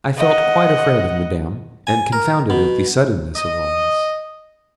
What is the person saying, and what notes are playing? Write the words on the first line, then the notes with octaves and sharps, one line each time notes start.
I felt quite afraid of Madame, and confounded at the suddenness of all this.
D#5 F#5
G#5
A#4
B2
D#5